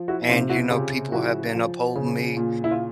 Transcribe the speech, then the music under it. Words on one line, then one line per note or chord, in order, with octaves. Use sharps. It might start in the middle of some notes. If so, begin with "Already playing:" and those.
and, you know, people have been upholding me,
Already playing: F3
E4 F#4
E4
C3 D#4 F4
E4 F#4
C#3 F4 G4
F3 E4 F#4
F3
C#3
A#2
E4
F4